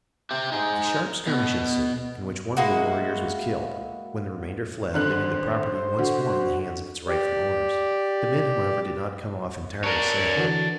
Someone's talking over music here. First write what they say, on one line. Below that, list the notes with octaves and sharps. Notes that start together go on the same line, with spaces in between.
A sharp skirmish ensued in which one of the warriors was killed, when the remainder fled, leaving the property once more in the hands of its rightful owners. The men however did not come off entirely safe.
G4 E5
D#4 G#4
B2
G#3 A#3 E4 F#4
G#1 D3 C5 F#6
D3 F#4
G4 D5
D4 A#4 C#5 D5
D3 E3 F#4